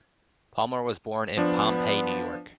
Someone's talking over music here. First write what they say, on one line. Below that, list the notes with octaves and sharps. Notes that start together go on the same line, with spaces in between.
Palmer was born in Pompey, New York.
F3 B3 D4